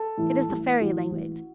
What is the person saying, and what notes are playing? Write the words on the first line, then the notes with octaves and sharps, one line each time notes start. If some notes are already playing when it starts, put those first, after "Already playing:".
It is the fairy language.
Already playing: A4
A2 E3
A1
A2 E3 F#4
A1